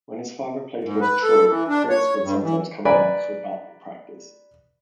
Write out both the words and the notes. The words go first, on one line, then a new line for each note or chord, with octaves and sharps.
When his father played for Detroit, Prince would sometimes come along for batting practice.
G#2
B4
A4
E3
D4
C#5
G2
E3
B4 D5 G#5 A#5 B5